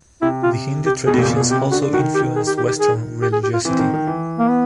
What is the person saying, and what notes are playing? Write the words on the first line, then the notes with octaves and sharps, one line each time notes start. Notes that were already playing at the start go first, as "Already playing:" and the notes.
The Hindu traditions also influenced western religiosity.
C3 E4
F4
G4
B2 G#4
A2
A#2
G4
B2
A#2
G#4
B2
C3 G4
C#3
D3 F#4
D3
D#3 F#4
G4
G#4
G4
G4
G4
G#4
G4
G#4
G4
F4
E3 C4
D#3
D#3
E3
A#3
B3